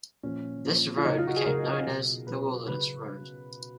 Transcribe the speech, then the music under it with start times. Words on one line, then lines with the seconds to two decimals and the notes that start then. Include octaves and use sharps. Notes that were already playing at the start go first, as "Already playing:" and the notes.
This road became known as the Wilderness Road.
0.23 A#2 F3 C#4
0.64 A#2 F3
0.97 F4
1.05 C#3 F#3 D#4
1.18 F4
1.27 F#4
1.37 G#4
1.46 C#3 F#3 A#4
1.87 B2 F#3
2.27 B2 F#3 B4
2.68 C#3 F#3 B4